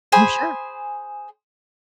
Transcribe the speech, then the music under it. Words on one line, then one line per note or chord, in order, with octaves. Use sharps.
No, sure.
G#4 C5 G#5 B5